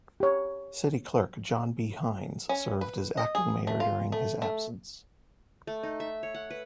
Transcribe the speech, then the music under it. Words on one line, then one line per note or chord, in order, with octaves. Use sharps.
City Clerk John B. Hynes served as acting mayor during his absence.
G4 C#5
C#4
B4
D#5
G#4
A3
F4
A3
A3
A3
D#4
E5
C#5
F#5
B4